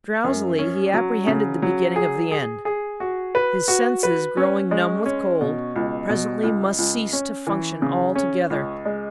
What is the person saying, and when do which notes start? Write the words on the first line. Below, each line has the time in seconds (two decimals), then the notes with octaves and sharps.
Drowsily he apprehended the beginning of the end. His senses, growing numb with cold, presently must cease to function altogether.
0.24 F#2
0.59 C#4
0.94 F#3
1.27 C#3
1.62 F#3
1.96 G#4
2.31 G#4
2.65 G#4
3.00 F#4
3.35 B4
3.68 F#4
4.03 B4
4.37 C#4
4.71 G#3
5.06 C#4
5.41 B2
5.76 C#2
6.10 B2
6.43 C#2
6.78 C#2
7.13 C#4
7.47 E3
7.82 C#3
8.15 C#4
8.50 C#2
8.85 G#3